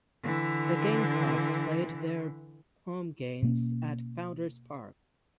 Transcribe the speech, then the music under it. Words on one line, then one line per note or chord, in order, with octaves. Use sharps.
The Gamecocks played their home games at Founders Park.
D3 E3
B2 A#3 C#4